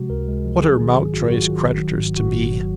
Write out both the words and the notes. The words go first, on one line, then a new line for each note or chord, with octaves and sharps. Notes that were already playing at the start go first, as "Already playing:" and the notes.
What are Mountjoy's creditors to me?
Already playing: C3 F3 G#3 F#4
C#2 A#4
G#3
F3
F#3 G#4
D#3
G#2
A#1 F#4
F4
F#3 F#4
D#3
G#1
F#3
G#2
G#1 F#4
G#1
F#3